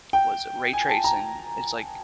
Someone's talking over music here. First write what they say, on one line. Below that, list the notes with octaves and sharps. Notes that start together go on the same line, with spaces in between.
was it ray tracing? It's like
G5
G#5
A5
A#5